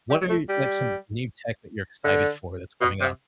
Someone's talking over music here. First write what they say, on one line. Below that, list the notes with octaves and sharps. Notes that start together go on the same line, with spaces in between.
what are, like, some new tech that you're excited for that's coming up?
G3
A3
G3
D3
B2
C3